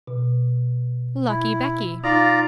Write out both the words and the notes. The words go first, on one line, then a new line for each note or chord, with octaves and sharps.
'Lucky Becky!
B2
E4
D#4 F4 D5 A#5